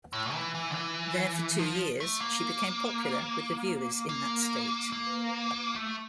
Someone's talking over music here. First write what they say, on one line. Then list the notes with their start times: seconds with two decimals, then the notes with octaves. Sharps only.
There for two years, she became popular with the viewers in that state.
0.13 A2
0.33 E3
0.55 E3
0.71 D3
0.75 E3
1.59 F3
2.00 A3
2.20 A#3
4.09 A#3
4.92 A#3
5.76 A3